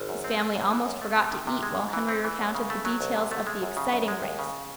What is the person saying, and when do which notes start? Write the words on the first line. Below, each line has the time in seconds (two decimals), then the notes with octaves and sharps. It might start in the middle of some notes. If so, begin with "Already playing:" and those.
His family almost forgot to eat while Henry recounted the details of the exciting race.
Already playing: G#1
0.09 F#2
0.24 C4
0.40 A3
0.55 F#2
0.71 E3
0.86 F#2
1.02 A3
1.16 C3
1.32 D#3
1.47 C3
1.63 G#3
1.78 G#2
1.93 E3
2.09 C4
2.24 E3
2.39 F#2
2.55 C#3
2.70 A3
2.85 F#3
3.01 C2
3.16 C3
3.31 A3
3.47 G#3
3.62 F#2
3.77 C#3
3.93 F#2
4.08 G#3
4.23 D#2
4.39 C#3